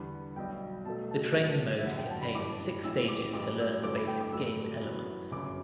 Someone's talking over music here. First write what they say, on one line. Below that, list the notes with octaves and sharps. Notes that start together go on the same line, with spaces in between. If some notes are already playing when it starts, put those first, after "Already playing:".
The training mode contains six stages to learn the basic game elements.
Already playing: E2 D3 G3 B3
B1 B2 G3 G5
B1 B2 F#3 A3 A5
A5
B1 A2 G3
E5
F#1 F#2 D3 G3 F#5
G5
A5
B5
A1 G2 E3 D6
B1 A2 E3 E6
D6
A1 G2 F#3 D6
E6
G1 G2 E3 A3 D6
B5
G5
D6
A1 G2 F#3 A3 E6
F#2 E3 B3
G1 F#2 C#3 D6